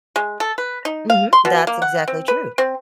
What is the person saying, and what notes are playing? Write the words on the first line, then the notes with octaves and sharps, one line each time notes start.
Mhm, that's exactly true.
G#3
A4
B4
D#4
F5
C6
B2
A#3
F#5
C4
B4
C4